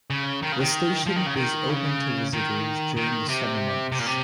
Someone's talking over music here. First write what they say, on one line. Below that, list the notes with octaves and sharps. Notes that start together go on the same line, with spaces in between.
The station is open to visitors during the summer months.
C#3
D#3
C#3
D#3
F3
D#3
C#3
D#3
C#3
D#3
D#3
C3
C3
A#2
C3